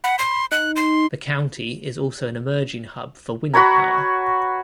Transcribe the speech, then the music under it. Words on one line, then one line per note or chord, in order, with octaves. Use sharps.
The county is also an emerging hub for wind power.
F#5 B5
C6
D#4 F#6
C6
F#4 B4 C#5 A#5